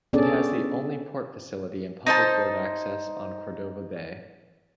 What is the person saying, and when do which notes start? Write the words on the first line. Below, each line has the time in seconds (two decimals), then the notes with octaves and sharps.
It has the only port facility and public road access on Cordova Bay.
0.13 B3 C#4 D4 G#4 A4 D5
2.06 D#4 C5 A5